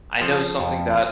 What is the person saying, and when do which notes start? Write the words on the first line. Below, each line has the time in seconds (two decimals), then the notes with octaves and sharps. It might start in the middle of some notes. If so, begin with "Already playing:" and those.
I know something that
0.21 F3 A4 C5
0.60 F2